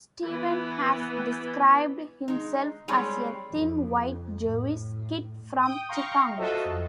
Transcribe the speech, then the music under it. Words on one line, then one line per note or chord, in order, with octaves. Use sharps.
Steven has described himself as a "thin, white Jewish kid from Chicago".
E3 B3
G#3 D#4
G3 G#3 C4 C#5 D5
F2
A2
G5 D#6
F5 G5 A#5 C6 C#6
F4 F#4 A4 C5 D#5 E5
F2